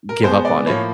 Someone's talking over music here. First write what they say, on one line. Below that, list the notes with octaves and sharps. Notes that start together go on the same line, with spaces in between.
give up on it.
A#4
B2 G#3 B3 C5
D5
A2 F3 A#3 C#5